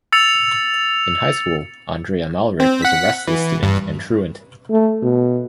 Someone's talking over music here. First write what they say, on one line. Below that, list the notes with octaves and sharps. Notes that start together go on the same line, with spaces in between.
In high school, Andrei Amalrik was a restless student and truant.
E6 A6 C#7 F7
C4
F#5 B6
E3
G2
A3
B2